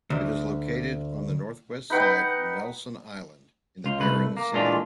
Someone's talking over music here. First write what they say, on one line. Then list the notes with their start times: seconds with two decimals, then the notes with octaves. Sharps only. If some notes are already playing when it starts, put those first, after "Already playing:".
It is located on the northwest side of Nelson Island in the Bering Sea.
0.10 D2
1.90 D#4 B4 F#5 G5
3.84 C#2 F4
4.01 C2 A3 B4
4.37 A#3
4.53 A#2 E3 G#3 A3 D4 F4